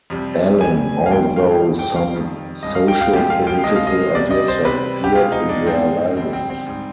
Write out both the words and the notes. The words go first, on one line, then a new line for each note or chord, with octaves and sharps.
Allin, although some socio-political ideas have appeared in their lyrics.
F2 C3 G3
C3 G3 G#5
F5
G#2 D#3 G#3 G5
F5
B2 G3
G5
F5
F2 D#3 G3
G2 F3 G#3 D#5
F5
G5
F5
F2 C3 F3 G#3 G4
F5
G5
C3 F3 G#3 D#5
F5
D#5
C3 G3 D5
D#5
C5
C3 G3 B4
G4
B2 G#3 F4
D#4
D4
G#2 F3 G#3 C4
F2 D3 G3 C4
C4
C4
G#2 G3